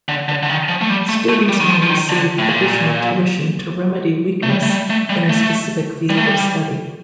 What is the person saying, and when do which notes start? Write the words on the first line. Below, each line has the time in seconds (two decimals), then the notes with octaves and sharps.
Students may receive additional tuition to remedy weakness in a specific field of study.
0.08 D3
0.28 D3
0.43 D3
0.49 D#3
0.68 F3
0.81 A3
0.90 G3
1.09 A3
1.29 A3
1.49 G3
1.61 D#3
1.69 F3
1.82 F3
1.90 D#3
2.09 D3
2.39 A2
2.49 A#2
4.43 A3
4.50 G3
4.63 A3
4.70 G3
4.90 A3
5.10 G3
5.30 A3
6.09 G3
6.17 A3
6.26 G3